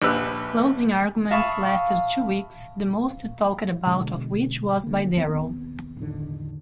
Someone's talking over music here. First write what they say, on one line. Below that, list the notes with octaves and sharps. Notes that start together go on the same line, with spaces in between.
Closing arguments lasted two weeks, the most talked about of which was by Darrow.
A#1 G4 B4 E6 F#6
E5 F5 A5 B5 C#6 D#6
B2 D3 G#3
D3 A#3
D#2 B3 C4
E2 A2 D3 D#3